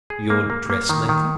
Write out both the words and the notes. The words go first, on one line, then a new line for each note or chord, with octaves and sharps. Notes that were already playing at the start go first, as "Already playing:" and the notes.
"Your dressmaker?"
G#4
A#3
A#3
A#3
D#3
D#3